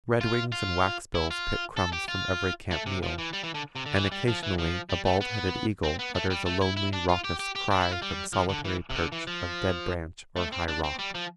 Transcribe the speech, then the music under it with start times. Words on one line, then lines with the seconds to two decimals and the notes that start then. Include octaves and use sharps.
Redwings and waxbills pick crumbs from every camp meal; and occasionally a bald-headed eagle utters a lonely raucous cry from solitary perch of dead branch or high rock.
0.21 F4
0.52 F4
1.15 E4
1.31 F4
1.77 A4
1.93 G4
2.08 F4
2.71 A3
2.86 C3
3.03 F3
3.18 E3
3.33 G3
3.43 E3
3.54 D3
3.75 C3
3.86 D3
3.96 E3
4.12 G3
4.28 F3
4.43 E3
4.58 F3
4.89 G3
5.05 A3
5.21 B3
5.83 C4
5.99 B3
6.15 A3
6.30 G3
6.46 A3
6.62 E4
6.77 E4
6.93 D4
7.09 F4
7.24 G4
7.40 G4
7.55 G4
7.71 D4
7.81 E4
7.92 F4
8.02 G3
8.33 F3
8.49 D3
8.65 E3
8.90 C3
8.95 D3
9.12 E3
9.27 F3
10.36 A3
10.52 C4
10.68 D4
10.84 C4
10.99 G3
11.15 F3